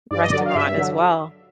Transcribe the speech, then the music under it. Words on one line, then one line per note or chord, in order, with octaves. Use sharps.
restaurant as well
G2 D5
D#5
D3 F#3 D5
F5
G2 E5
D3 F#3